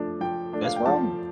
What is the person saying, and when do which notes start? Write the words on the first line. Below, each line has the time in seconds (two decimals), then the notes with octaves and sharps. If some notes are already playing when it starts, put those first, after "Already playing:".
This world?
Already playing: F3 A3 D4
0.21 F3 G5
0.53 A3 D4
0.65 F5
0.76 G5
0.86 F3 A5